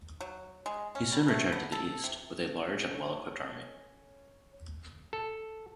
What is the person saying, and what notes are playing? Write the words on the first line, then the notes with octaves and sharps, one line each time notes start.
He soon returned to the east with a large and well-equipped army.
F#3
G#3
C#4
G3
A3
B3
A4
C3
C#4 A4 C#5
A4